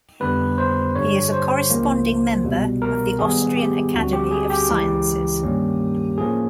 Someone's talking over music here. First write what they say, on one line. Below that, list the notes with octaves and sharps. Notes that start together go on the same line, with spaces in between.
He is a "Corresponding Member" of the Austrian Academy of Sciences.
F2 D3 G3 B3 B4
C5
G2 D3 G3 C#5
C5
C#2 C#3 F3 A#3 C#4
C2 B2 G3
A#4
G#2 D#3 G3 B3 G#4
G4
D2 D3 G3 C4 F#4
G4
G#4
G4
C#2 C#3 E3 G#3
G2 D#3 G3 A#3 C#4
A2 F3 A#3 C#4 G#4